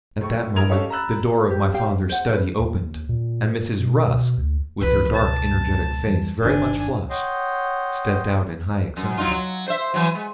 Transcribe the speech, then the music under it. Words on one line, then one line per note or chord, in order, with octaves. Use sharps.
At that moment the door of my father's study opened, and Mrs. Rusk, with her dark energetic face very much flushed, stepped out in high excitement.
A2 C#6
E4 A#4 D#6 G#6 F7
C#4 D#4 G4 A4 C#5 F5
A#5 B5 E6 F#6 A6
G4
G4 F5 G5
E5
C5 F#5
B4 C5
D#2
A#2
B2
D2
C#2 G#2 E3 B4
C#2 G#2 B2 A5
F2 E3 G3
G1 E2 D#3 D4 G#5
C#5 D#5 F#5 G5 C6
F#2
F#3 D#4 F4
F#3
C5 E5
E3 F#3
G#3